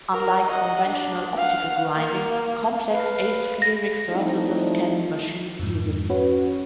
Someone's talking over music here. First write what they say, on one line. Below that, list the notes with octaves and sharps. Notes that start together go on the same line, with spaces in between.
Unlike conventional optical grinding, complex aspheric surfaces can be machined easily.
A#4
D#5 F#5
D4
F5 F#5
A#3
B4 F5
A#6
F3 G3 A3 C4 D#4 E4
F2 G#2
C#4 F#4 B4 C#5